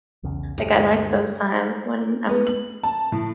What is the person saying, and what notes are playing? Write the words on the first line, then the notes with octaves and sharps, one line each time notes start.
Like, I like those times when I'm
B1 E2 C#3
D2 G2 G3
B3
F#7
A5
A2